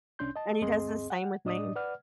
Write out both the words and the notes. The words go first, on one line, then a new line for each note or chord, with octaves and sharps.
and he does the same with me.
C2 C#4 D4 C6 G6
D#5 A5
D2 G2 C4 G#4 D#5 C6
F#5
A2 D4 D5 D#5 D#6
B4 D5 F#5 F6